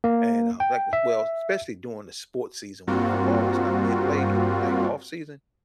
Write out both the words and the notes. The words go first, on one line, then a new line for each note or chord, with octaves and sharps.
And, uh, like well especially during the sports season, when the football is not being played, like, the off-season,
A#3
G5
E5
G2 G3 A#3 C4 F4 F#4